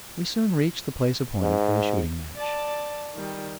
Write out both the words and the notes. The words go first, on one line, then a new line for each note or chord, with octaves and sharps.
We soon reached the place appointed for the shooting-match.
G#2
D5 A5
D#3 G3